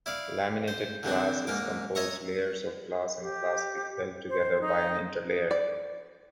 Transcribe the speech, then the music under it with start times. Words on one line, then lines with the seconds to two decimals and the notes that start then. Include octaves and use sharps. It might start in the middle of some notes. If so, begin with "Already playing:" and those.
Laminated glass is composed layers of glass and plastic held together by an interlayer.
0.06 E4 D5 F5
0.68 C5
1.03 D3 E3 C4 D4
1.47 G#2 A#3 D6
1.95 C#5 D#5 E5 A#5 C#6
3.21 G4
4.29 C5
4.61 D#4
5.51 D5